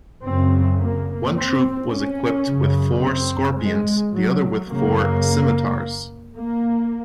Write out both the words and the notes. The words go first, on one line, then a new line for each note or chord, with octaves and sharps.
One troop was equipped with four Scorpions, the other with four Scimitars.
F#2 C#3 C4
A#3
C4
C#4
F#2 C#3
C4
G#3
F#3
F#2 C#3 A#3
A#3